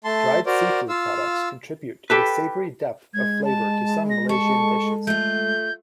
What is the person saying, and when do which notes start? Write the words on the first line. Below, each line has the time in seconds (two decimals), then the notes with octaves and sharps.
Dried seafood products contribute a savoury depth of flavour to some Malaysian dishes.
0.04 A3 A5 C6
0.46 F#4 A#4 C5 D5
0.89 F4 F5 E6
2.10 G4 A4 B4
3.14 G#3 G#6
3.44 A5
4.10 A#6
4.29 A4 C#6
5.07 A3 F4 G6